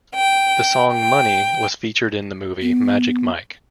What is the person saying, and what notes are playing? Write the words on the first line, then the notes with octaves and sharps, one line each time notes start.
The song "Money" was featured in the movie Magic Mike.
G5
G5
B3